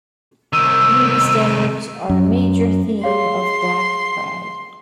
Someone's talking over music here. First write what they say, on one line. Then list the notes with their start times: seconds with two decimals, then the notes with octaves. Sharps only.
Beauty standards are a major theme of black pride.
0.53 C2 D#3 E6
2.10 F#2
3.04 G#4 C#5 F5 C6